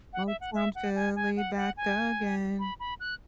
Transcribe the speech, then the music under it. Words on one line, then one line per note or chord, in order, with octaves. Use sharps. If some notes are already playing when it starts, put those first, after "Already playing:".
Motown Philly back again,
F#5
E5
F#5
E5
F#5
G#5
G#5
F#5
F#5
G#5
B5
B5
F#6